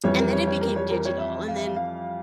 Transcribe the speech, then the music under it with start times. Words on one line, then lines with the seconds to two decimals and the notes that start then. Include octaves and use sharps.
and then it became digital and then,
0.04 F2 E3 G3 C#5
0.18 A#4
0.33 C#5
0.47 C#5
0.61 A#4
0.76 C#5
0.90 A#4
1.05 C#5
1.19 E5
1.48 F5
1.57 E5
1.66 F5
1.76 F5